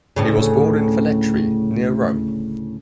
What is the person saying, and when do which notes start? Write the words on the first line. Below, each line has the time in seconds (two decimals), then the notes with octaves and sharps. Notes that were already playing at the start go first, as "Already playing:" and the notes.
He was born in Velletri, near Rome.
0.16 D2 A2 C#3